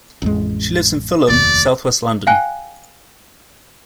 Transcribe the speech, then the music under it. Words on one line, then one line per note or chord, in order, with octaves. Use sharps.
She lives in Fulham, South West London.
A1 F2 G#3
F1 D#2 D5
F5 G5 G#5 F#6